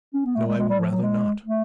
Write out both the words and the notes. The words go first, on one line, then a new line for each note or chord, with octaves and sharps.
'No, I would rather not.'
C#4
B3
A3
G#3
G#3
G3
F3
F#3
G#3
A3